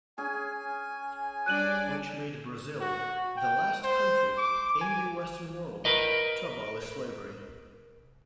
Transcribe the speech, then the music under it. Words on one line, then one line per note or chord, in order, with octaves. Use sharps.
Which made Brazil the last country in the Western world to abolish slavery.
C#4 G#4 G#5
G3 D4 D5 F#6 D#7 F#7
F#4
G5
C5
D6
G#5
A#4 B4 D#5